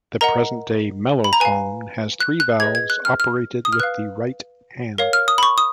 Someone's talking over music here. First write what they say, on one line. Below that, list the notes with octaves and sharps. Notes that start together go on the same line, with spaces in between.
The present-day mellophone has three valves, operated with the right hand.
A#4 D#5 F#5 A#5
B5
A#5
B4 F5 G#5
F#6
F#6
G#4 B4 D#5 G#6
G#6
F#6
F6
F6
D#6
F6
B4 F5 F#6
A#4 C#5 F5
F6
D#6
B5
C#6
D#6